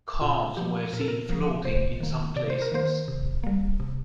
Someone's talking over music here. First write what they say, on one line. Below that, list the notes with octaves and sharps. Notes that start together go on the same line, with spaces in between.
Cars were seen floating in some places.
A#2 F4
F3 A#3 G4
A#2 A#4
A4
A#4
F3 A#3
C3 C5
D#3 A#3
C3 D5
C5
A#4
D#3 A#3 C5
C3
G3 A#3
C3